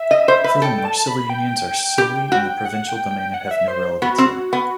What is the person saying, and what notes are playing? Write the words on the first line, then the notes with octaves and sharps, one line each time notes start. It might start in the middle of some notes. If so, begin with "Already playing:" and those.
Furthermore, civil unions are solely in the provincial domain and have no relevance here.
Already playing: E5
D#5
C5
B4
A4 G5
G5
A5
B5
G5
G4
F#4
F#5
G5
G5
F#5
E5
C5
B3 F#4
C4
B3